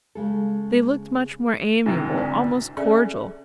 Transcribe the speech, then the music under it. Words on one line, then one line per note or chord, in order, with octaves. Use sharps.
They looked much more amiable, almost cordial.
C#3 G#3 A4
G#2 C3 D#3
D2
C#4 G#4 A4 D5 E5 G#5